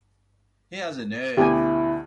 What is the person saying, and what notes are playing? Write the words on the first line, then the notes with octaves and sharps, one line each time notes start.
He has a nerve.
D2 B2 B3 E4 G4 G#5